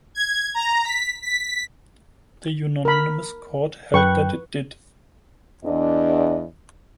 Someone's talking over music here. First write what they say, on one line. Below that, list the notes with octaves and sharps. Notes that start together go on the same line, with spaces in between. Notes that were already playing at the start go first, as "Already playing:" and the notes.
The unanimous Court held that it did.
G#6
A#5
B6
B6
A#4 B5
F#2 B4 G5 C#6 F#6
E2 D4 D#5